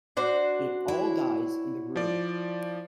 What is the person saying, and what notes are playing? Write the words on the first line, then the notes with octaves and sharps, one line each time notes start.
It all dies in the room.
D4 F#4 C5
E4 C#5
F3 D5